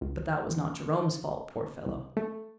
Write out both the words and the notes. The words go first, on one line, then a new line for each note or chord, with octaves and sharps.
But that was not Jerome's fault, poor fellow!
C#2
E2
C2
A3